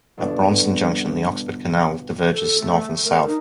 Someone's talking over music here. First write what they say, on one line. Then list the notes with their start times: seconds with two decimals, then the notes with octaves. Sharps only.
At Braunston Junction, the Oxford Canal diverges north and south.
0.17 G1 B2 D4
2.31 A4
2.59 A3
3.04 A#4
3.26 D#4